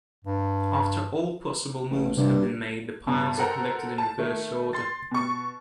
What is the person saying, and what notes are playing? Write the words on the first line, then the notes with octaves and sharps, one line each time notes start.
After all possible moves have been made, the piles are collected in reverse order.
G2
A1
G2 C3
G2 B2
A4 A#4 C5 F#5 A#5
A5
D#3 A3
C6 A6
B2 C#6